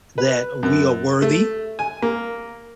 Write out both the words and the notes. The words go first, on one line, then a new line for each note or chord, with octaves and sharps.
That we are worthy.
B4
F#2
A3
G#5
A#3